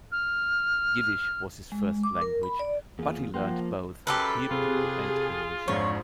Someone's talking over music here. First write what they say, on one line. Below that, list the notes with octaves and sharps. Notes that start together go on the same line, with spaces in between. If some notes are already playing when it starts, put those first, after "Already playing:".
Yiddish was his first language, but he learned both Hebrew and English.
F6
G#3
D6
A#4
B5
D5
E2 A#3 F4 G#4
F3 A#3 F#5 G5 C6
F#2 G4 A4 B4
C3 F4 G#4
F2 G#2 F3 D4 C#5